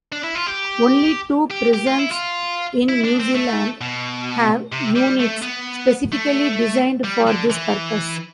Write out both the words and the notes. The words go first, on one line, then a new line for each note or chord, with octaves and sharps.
Only two prisons in New Zealand have units specifically designed for this purpose.
D4
E4
F4
G4
G4
G4
F4
E4
F4
E4
D4
C4
A3
B2
C3
G3
A3
B3
A3
G3
D3
E3